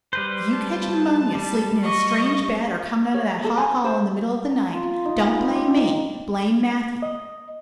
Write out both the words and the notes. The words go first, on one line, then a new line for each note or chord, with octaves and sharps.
If you catch pneumonia sleeping in a strange bed or coming out of that hot hall in the middle of the night, don't blame me, blame Matthew.
G3 B4 C5
A5
G3
D#5 C#6
C#5
A4
G#5
C5
A#5
F4
D#4
B3
C5
G4
D#4
D#5